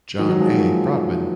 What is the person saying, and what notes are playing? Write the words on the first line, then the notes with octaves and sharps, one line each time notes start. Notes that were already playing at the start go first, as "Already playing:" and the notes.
John A. Broadwin.
D#3 F#3
D#3 F#3
F3 G#3
F#3 A#3